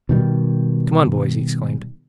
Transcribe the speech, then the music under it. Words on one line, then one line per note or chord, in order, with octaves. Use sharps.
"Come on, boys!" he exclaimed.
B2 D#3 G3